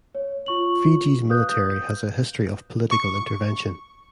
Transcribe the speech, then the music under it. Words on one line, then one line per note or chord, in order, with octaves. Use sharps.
Fiji's Military has a history of political intervention.
C#5
F4 C#6 F#7
B4 F5 D#6 F#6 G6
C#6